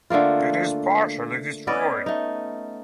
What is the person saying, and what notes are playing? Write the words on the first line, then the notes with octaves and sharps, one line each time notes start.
It is partially destroyed.
D3 A3 A#3 F4
B3 C#4 D5 D#5
A3 D#4